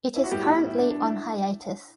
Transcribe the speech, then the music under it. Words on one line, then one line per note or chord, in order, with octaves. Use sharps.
It is currently on hiatus.
E4
F#4
A2 G3 B3 G4
E4
E4
D4
D4
E4